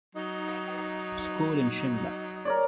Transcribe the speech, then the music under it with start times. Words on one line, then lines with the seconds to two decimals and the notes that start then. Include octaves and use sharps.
School in Shimla.
0.16 F#3 D#4
2.45 A#4 C#5 D5